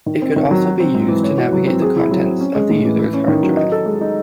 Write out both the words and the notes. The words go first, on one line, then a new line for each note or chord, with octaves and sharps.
It could also be used to navigate the contents of the user's hard drive.
D#3
C4
D#3
F#3
F#4
C4
G#2
E3
C#5
F#4
F#3
C4
G#4
E4
F#3
C4
C#4
G#3
A2
E3
E4
C#4
D#3
F#3
D#5
A4
G#3
D#4